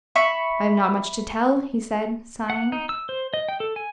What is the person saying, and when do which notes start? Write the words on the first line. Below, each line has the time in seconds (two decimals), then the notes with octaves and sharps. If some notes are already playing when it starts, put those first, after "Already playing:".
"I have not much to tell," he said, sighing.
0.16 E5 B5 C#6
2.50 F#5
2.72 D#4
2.89 E6
3.09 C5
3.34 D#5
3.49 G5
3.60 A4
3.76 G#5